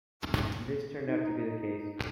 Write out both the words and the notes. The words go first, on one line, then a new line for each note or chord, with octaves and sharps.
This turned out to be the case.
D#4